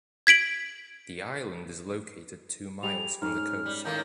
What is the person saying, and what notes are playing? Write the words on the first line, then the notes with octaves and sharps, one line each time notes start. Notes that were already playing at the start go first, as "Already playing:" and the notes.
The island is located two miles from the coast.
G#6 B6 D7 F#7
G3 G#4 D5 F7
G#2 C#4 F6
G3
A2 D#3 A#3 G6